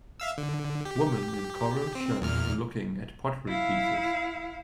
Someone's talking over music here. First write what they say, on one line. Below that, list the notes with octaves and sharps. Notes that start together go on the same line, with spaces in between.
Woman in coral shirt looking at pottery pieces.
E5 F5 E6
D3
G4
C4
E2 A#2 F6
E4 F5